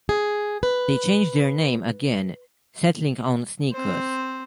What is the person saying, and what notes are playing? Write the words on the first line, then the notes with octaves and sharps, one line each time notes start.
They changed their name again, settling on Sneakers.
G#4
B4
C4 C5